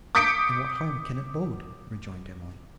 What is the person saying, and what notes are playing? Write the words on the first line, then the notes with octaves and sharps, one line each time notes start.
'And what harm can it bode?' rejoined Emily.
D6 D#6 G6 B6 C#7 D7